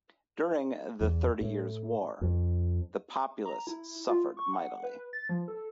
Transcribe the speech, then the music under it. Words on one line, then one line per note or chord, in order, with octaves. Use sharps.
During the Thirty Years' War, the populace suffered mightily.
E2
A2
F2
A#5
E4
F4
C#6
F#5
B4
A6
F3
A4